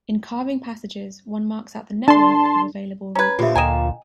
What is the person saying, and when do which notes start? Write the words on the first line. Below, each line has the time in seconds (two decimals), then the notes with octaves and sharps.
In "carving passages", one marks out the network of available routes.
2.08 D4 A5 C6
3.15 C#4 B4 A#5 G#6
3.39 A#2 D3 F3 F4 G4 E5
3.55 D2 D#5 G5 G#5 A#5 E7